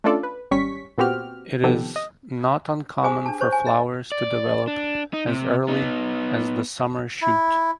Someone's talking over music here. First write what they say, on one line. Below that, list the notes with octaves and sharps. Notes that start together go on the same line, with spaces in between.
It is not uncommon for flowers to develop as early as the summer shoot.
A3 C#4 D4 F4 A4 D5
B4
G#1 G3 C#4 C#6 B6
A#2 B3 C4 F#4 G4 F6
C3 D#3 F3 B3 G4 A4
D#5
G4 G#4 C5 G#5 D6 D#6
D4 A5
C5 C#5 C#6
G#5
D#5
D5
D4
D#4
C3
B3 D#4
E4